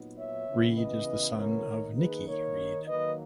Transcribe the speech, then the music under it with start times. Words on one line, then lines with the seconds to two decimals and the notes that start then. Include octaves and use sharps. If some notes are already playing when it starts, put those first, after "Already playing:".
Reed is the son of Nikki Reed.
Already playing: A#2 F#3 B3 D#4
0.18 C#5 E5
0.48 C#3 E3 B3
0.78 B4 D#5
1.38 A#4 C#5
1.68 D#3 A#3 D#4
1.97 G#4 B4
2.28 A#4 C#5
2.87 D#3 F#3 A#3 B4 D#5